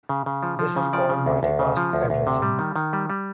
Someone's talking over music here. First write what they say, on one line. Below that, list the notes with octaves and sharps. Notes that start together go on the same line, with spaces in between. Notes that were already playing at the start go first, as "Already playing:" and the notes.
This is called multicast addressing.
C#3
C#3
F3
F3
C#3
F3 D5
C#3
D2
D2
C#3
F3
D2
D2
C3
G3
D#3
D#3
G3
G3